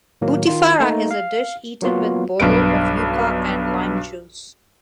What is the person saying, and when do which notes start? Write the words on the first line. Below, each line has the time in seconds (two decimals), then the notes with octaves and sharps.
Butifarra is a dish eaten with "bollo" of yuca and lime juice.
0.21 A2 D#3 F#3 A#3
0.47 D#3 F4
0.80 A3 A#3 D#4
1.11 F5
1.82 F#3 A#3 B3 F4 F#4
2.40 B1 G2 B4 D7